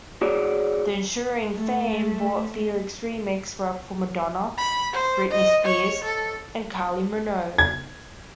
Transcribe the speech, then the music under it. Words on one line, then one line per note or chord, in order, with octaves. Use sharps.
The ensuing fame brought Felix remix work for Madonna, Britney Spears and Kylie Minogue.
F#4 G#4 C#5 D5
A3
B5
C5
D#5
C#5
A4
G#6